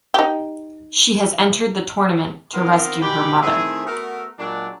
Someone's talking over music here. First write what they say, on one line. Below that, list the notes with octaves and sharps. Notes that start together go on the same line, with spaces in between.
She has entered the tournament to rescue her mother.
D#4 G4
D#3 B3 C4 F4 A#4
B2 G#3 F#4 G4 D5 B5
D#3 A3 C4 E4 G#4
A3 B3 F#4 A4 A#4
A#2 F#3 G#3 D4